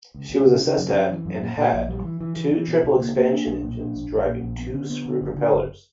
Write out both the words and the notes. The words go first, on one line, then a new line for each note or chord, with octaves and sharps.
She was assessed at and had two triple expansion engines driving two screw propellers.
C#2
C#2
C#3
C#3
F#2
F#2
E3
F#2
A#2
A#2
A#1
G3
E3
E3
E3
E3
B2
C#2
A#3
A#3
D4
B1
A#2
D4
A#1
A#1
A#2
A#1
B3
D3
B3
D3
F#1
D3
F#1